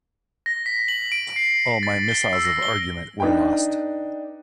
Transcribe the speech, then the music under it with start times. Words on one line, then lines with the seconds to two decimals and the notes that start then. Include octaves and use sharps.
All my missiles of argument were lost.
0.46 A#6
0.66 B6
0.88 F#7
1.12 D7
1.36 C7
1.83 A6
2.08 G7
2.33 E6
2.45 A#6
2.62 G7
3.20 D4 D#4 B4 G5